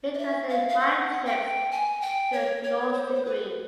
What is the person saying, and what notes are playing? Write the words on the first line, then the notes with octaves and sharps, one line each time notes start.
Midwestern mindtrips to the nth degree.
D#5
E5
F5
F5
F#5
G5
G#5
G5
C#5
C#5
C5
C5
B4